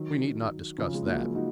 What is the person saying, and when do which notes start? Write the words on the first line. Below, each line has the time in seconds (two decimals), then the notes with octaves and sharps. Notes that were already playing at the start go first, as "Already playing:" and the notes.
"We need not discuss that."
Already playing: D#3 F#3
0.78 C#3 F3
0.94 G#3
1.06 F#3 A#3
1.35 D#4 F#4